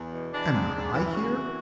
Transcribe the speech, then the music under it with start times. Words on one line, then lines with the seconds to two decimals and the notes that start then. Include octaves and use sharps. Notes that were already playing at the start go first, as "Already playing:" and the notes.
"Am not I here?"
Already playing: E2
0.13 B2
0.33 E3 D4
0.53 G#2
0.73 G#2
0.93 E3
1.13 C#3 F#4
1.34 E3